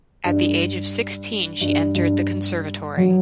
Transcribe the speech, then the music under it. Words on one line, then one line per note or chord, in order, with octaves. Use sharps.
At the age of sixteen she entered the conservatory.
G2
G2
G2
F#3